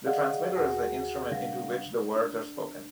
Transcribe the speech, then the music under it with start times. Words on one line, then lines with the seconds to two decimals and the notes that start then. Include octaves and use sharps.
The transmitter is the instrument into which the words are spoken.
0.06 G#4 D5 D#5 F5 F#5
0.56 D#2 F#4 G#4 F#5 G#5 A#6
1.31 C#3 G3 D4 F5 F#5 A#6
2.15 D4